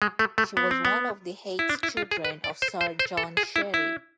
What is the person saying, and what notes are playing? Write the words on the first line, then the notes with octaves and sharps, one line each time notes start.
She was one of eight children of Sir John Shirley.
G#3
A3
A3
B3
C4
B3
E4
D4
E4
F4
G#4
B4
D5
C5
C5
C5
A4
G#4
E4
E4